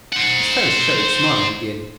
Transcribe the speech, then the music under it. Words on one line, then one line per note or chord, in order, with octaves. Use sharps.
His face showed smiling again.
C5 F#5